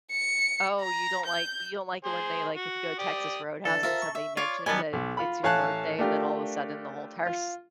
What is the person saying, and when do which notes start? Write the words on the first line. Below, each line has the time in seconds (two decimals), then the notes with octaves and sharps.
Oh, you don't, like you don't, like, it when they, like, if you go to Texas Roadhouse and somebody mentions that it's your birthday and then all of a sudden the whole entire s
0.11 C#7
0.81 A#5
1.26 G6
2.05 G#4 C5
2.56 F#4
2.99 G4 D5 D#6
3.65 D3 E3 A4
3.83 F4 A#4 C5 E5 A#5
4.02 C#6
4.15 E5
4.37 F4 C#5 D5
4.66 F#2 D#3 F#3 G3 B3 G#5 A5
4.93 B1
5.17 F4 B5
5.43 A1 C#5 F5 G#5 A5 F#6
5.99 A3 D4 F4 G4 A#4
7.26 F4